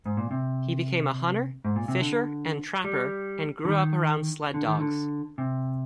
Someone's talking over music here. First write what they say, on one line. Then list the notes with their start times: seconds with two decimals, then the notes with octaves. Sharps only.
He became a hunter, fisher, and trapper, and grew up around sled dogs.
0.06 G#2
0.17 A#2
0.31 C3
1.65 G#2
1.76 A#2
1.88 C3
2.00 D3
2.84 G3
3.65 D3
3.69 D#3
4.54 D3
4.67 D#3
4.81 D3
5.38 C3